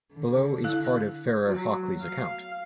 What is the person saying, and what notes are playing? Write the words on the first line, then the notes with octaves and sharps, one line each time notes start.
Below is part of Farrar-Hockley's account.
D3
E4 F5 F#6
F#3
F5